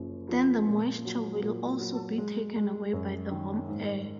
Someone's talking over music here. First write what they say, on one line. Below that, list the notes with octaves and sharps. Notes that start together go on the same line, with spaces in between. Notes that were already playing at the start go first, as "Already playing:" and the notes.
Then the moisture will also be taken away by the warm air.
Already playing: F#1 F#2 F3
F3
A#2
F#3
A#2
F#3
G#3
G#3
F#2
D#3
G#2